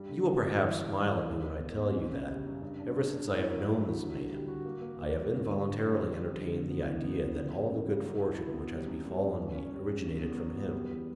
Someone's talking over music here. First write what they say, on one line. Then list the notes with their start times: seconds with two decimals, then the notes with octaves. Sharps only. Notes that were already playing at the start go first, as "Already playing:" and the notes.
You will perhaps smile at me when I tell you that, ever since I have known this man, I have involuntarily entertained the idea that all the good fortune which has befallen me originated from him.
Already playing: G2 G3
0.09 D3
0.26 D3
0.42 G3
0.59 E3
0.76 G3
0.93 E3
1.10 E3
1.28 A#3
1.45 A#3
1.60 B2
1.78 B2
1.95 C#4
2.11 C#3
2.28 G3
2.45 F#2
2.62 G2
2.79 D4
2.96 D4
3.13 D4
3.30 E4
3.47 F#3
3.64 E4
3.80 F#3
3.97 D3
4.13 D3
4.31 G3
4.48 F#4
4.65 A#3
4.81 A#3
4.98 A#3
5.16 G3
5.32 D3
5.49 G3
5.66 D4
5.83 D3
6.00 G3
6.16 G3
6.33 D3
6.51 D3
6.68 B3
6.85 E3
7.02 B3
7.18 E3
7.35 C#3
7.51 G3
7.69 C#3
7.85 G3
8.02 F#3
8.19 E4
8.36 E4
8.53 B3
8.70 G3
8.87 F#2
9.04 G3
9.21 F#2
9.37 C#4
9.55 C#4
9.72 G3
9.89 C#4
10.05 E2
10.22 B3
10.38 F#3
10.56 B3
10.72 G3
10.89 E2